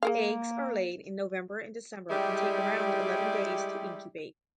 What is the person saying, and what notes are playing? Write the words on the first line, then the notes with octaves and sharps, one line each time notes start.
Eggs are laid in November and December and take around eleven days to incubate.
A#3 G#4 A#4 F5
G3 G#3 E4 G4 D5